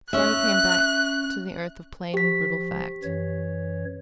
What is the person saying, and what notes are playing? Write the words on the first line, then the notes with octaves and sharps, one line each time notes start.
Spargo came back to the earth of plain and brutal fact.
C#4 E5 F#6
F3 G4 B6
F#2 E3 C#5